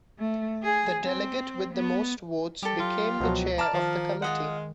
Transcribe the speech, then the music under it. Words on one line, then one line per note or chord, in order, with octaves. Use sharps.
The delegate with the most votes became the chair of the committee.
A3
G#4
C4
B3
G3 G4 A4
F#3 F4
C#2 B2 F3 F#3
D5 A5 A#5 D6 F6
D#3 F3
G#3 F4 D#5 F#5